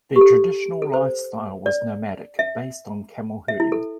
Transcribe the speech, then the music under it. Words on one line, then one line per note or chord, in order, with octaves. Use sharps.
Their traditional lifestyle was nomadic, based on camel herding.
G4
A4
A4
C5
D5
E5
E5
E4
A4